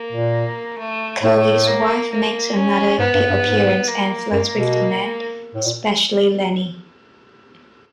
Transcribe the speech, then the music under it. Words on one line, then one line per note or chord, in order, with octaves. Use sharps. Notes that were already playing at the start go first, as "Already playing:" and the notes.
Curley's wife makes another appearance and flirts with the men, especially Lennie.
Already playing: A#3
A#2
A3
A2 A3
A#3
A#3
C#4
G#2 B3
G2
G2
G#2
A#3
F#2 A#3
B2
A2
A#2